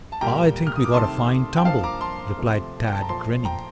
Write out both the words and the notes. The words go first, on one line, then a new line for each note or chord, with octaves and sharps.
"I think we got a fine tumble," replied Tad, grinning.
A5
A#2 G3 A#3 G5 A#5
F6
D#6
D6
C3 D#3 A3 A5 C6
G5
G2 F3 A#3 F5 A5
A#5 D6
A5 C6
C3 F3 A3
G5
A5
A#5
A#2 F3 A3 A5 C6
G5 A#5